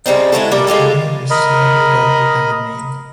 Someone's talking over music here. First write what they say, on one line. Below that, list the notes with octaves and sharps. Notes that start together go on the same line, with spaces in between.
The female is slightly darker than the male.
C#3 G3 C4 D#4
G#3 E4 F#4 A4
G3 A3 A#3 D4
G#3 F4 G4 A4
A#4 D#5 B5